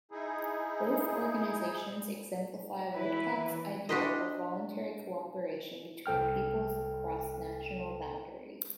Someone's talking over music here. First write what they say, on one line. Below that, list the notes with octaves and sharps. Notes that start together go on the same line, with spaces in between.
Both organizations exemplify Woodcock's ideal of voluntary cooperation between peoples across national boundaries.
D#4 E4 G#4
E3 E4 B4
D4 F#4 G4 B4 C5 D#5
C2 A4 G5 F6